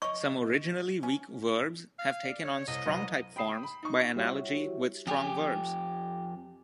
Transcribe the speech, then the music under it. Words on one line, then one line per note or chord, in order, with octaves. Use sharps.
Some originally weak verbs have taken on strong-type forms by analogy with strong verbs.
C#5 D#5 C#6
C#4
F5
D5
C#5
C2 D#5
C2 F#3 B4
G5 B5 D#6 C7 E7
B5
D#4 C#6
G3 E4 F#4 G4 C#5 E5
F2 G4 G#5